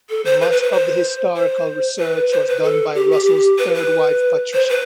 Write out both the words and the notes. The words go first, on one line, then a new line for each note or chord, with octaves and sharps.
Much of the historical research was done by Russell's third wife Patricia.
A4
C5
B4
B4
B4
C5
C5
B4
C5
B4
A4
G4
G4
G4
B4
B4
C5
B4